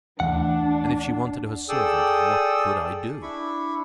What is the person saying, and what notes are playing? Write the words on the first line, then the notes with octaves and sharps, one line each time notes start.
And if she wanted her servant, what could I do?
D#2 E3 A3 D4 F#5
G#4 A4 D5 G5 D#6 E6
D4 E4 B5 C#6